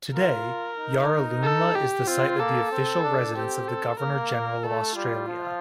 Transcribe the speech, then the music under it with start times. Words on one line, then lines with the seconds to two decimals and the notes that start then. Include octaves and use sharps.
Today, Yarralumla is the site of the official residence of the Governor-General of Australia.
0.14 F4 A#4
0.78 D#4
1.43 A4
1.75 G4
2.06 C4 F4
2.39 A#3 A4
2.72 C4
3.03 D4
3.35 C4 G4
3.68 A4
3.99 A#3 A#4
4.64 A3 A4
4.96 G3 F4
5.28 F3